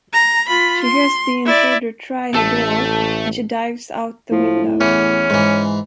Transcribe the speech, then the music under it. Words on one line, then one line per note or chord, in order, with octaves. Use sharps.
She hears the intruder try her door, and she dives out the window.
A#5
F4 B5
C6
E4 D5
A1 A3 A4
A2 F3
E2 E3 C#4
G#2 E3